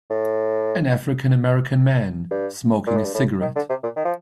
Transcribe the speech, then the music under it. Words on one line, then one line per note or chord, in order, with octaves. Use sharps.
An African American man smoking a cigarette.
A2
G2
A#2
A2
G2
A2
D#3
D3
C3
A#2
D#3
F3